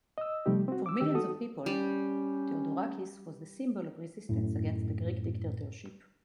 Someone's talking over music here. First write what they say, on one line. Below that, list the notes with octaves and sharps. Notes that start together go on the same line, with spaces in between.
For millions of people, Theodorakis was the symbol of resistance against the Greek dictatorship.
D#5 E6
C3 F3 G3 A3 D#4 G4
C4 F#4
D6 E6
D#3 G4 E6
F#4 A4 D#6
G3 C#4
F#2 A2